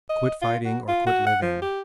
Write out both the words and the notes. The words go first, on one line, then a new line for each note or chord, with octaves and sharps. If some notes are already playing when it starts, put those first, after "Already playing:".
Quit fighting or quit living.
D#5
F4
F#4
F4
F#4
F#5
F3
G4